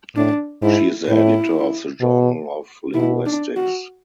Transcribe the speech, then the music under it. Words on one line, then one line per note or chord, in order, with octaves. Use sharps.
She is the editor of the "Journal of Linguistics".
A2 D4
G#2 E4
A2 E4
B2
B2 E4
D4
F#4